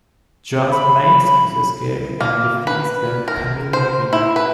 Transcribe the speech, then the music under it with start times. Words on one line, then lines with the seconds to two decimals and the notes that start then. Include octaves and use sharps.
Jazz makes his escape and defeats the Chameleon King.
0.72 B5
2.20 A#3
2.67 B4
3.28 A#4
3.73 C5
4.13 E4
4.36 B4